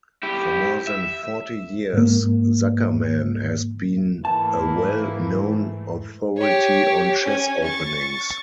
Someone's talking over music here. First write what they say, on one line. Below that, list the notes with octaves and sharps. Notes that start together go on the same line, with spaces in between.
For more than forty years, Zuckerman has been a well-known authority on chess openings.
E4 G4
E5
G#2 A#3
G#2 E3 A3 A#3 E4 A5
G4 C#5
C#4 G#5
C#6 A6